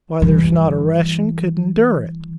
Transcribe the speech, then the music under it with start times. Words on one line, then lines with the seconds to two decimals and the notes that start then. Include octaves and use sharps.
"Why, there's not a Russian could endure it!"
0.22 G2 E3